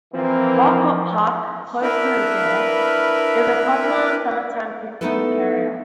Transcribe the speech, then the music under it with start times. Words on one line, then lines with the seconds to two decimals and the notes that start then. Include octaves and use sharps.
Walcott Park, close to the dam, is a popular summertime picnic area.
0.14 E3 F3 A#3 C4
1.82 D4 E4 A#4 B4
5.01 A3 B3 D#4 E4 A4 B4